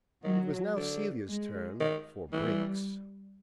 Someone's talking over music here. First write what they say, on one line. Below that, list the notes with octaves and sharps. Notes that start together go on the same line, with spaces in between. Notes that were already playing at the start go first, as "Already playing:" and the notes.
It was now Celia's turn for "breaks."
D#3 F#3
D3
G#3
D#3
E3 G3